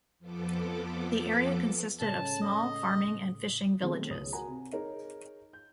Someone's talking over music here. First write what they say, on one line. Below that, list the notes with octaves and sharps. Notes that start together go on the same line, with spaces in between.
The area consisted of small farming and fishing villages.
F2 F3 B3 A4 D6
A2 C#3 G#3 A5
D#5
B2 D#3 F#3 G#3 A3 C4
C#2 C#5 D#6
F#4 A#4 F#5 G#5 A#5
C3
D#4 G#4 A#4 C#5
G6